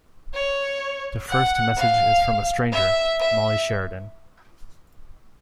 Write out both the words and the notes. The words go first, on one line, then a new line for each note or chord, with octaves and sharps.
The first message is from a stranger, Molly Sheridan.
C#5
F#5
F5
E5
E5